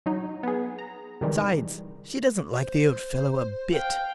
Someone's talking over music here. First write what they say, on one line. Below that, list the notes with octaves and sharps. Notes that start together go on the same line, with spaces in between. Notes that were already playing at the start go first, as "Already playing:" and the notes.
Besides, she doesn't like the Old Fellow a bit.
F#3 D#4
B3 G#4
A#5
C3 D#3 E3 G3 G#3
C5
F5 G5